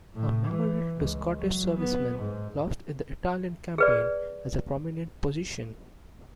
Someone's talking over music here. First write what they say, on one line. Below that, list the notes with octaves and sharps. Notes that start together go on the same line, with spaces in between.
A memorial to Scottish servicemen lost in the Italian campaign has a prominent position.
A2
E3
C#2
F#3
B3
G#2
G#4 B4 D5